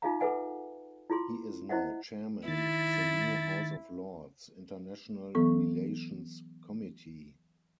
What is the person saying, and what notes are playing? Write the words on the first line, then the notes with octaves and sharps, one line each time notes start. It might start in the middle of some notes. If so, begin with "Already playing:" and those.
He is now Chairman of the new House of Lords International relations Committee'.
D#4 F4 G#4 E5 F5 A#5
G#4 A4 B4 E5 F#5 G#5
E4 F4 G#4 C6
E4 C5 D#5 E5 F#5
D#3 E4 A6
E3 F#3 B3 A4 C#6